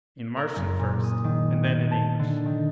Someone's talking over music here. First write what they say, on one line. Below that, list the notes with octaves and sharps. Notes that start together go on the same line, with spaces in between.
In Martian first, and then in English.
A#4
F#1
A#2
D#6
D#3
G6
A5
D3
D#3